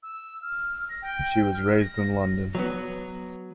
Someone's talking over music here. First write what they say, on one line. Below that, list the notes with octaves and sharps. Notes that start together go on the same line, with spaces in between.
She was raised in London.
E6
F6
A#6
G5
F6
A#6
F#3 B3